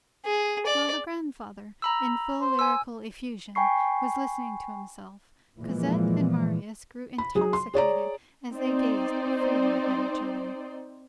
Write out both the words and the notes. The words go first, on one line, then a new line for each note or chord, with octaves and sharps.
While the grandfather, in full lyrical effusion, was listening to himself, Cosette and Marius grew intoxicated as they gazed freely at each other.
G#4
D5
A#5 B5 E6
C5
G#5 E6
G5 G#5 B5 C#6 C7
A#2 E3 F3 G#3
B5
F#3 G#4
C6
G#4 C#5 D5 A#5
C4 D#4 C5 D5